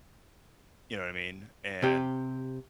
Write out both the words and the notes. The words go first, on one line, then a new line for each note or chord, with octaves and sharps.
you know what I mean, and
C3 G4